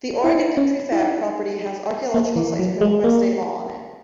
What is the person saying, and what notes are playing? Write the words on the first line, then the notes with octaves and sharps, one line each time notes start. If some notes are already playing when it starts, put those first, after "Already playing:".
The Oregon Country Fair property has archaeological sites protected by state law on it.
E4
D#4
C#4
E4
D#4
A#3
E3
F#3
G#3
A#3